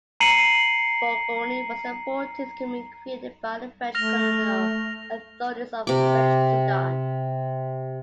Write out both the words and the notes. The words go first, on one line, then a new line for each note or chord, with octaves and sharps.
Bougouni was the fourteenth commune created by the French colonial authorities of French Sudan.
A#5 C7 C#7 D#7 F#7
A3 F6 A#6 F7
C3 D6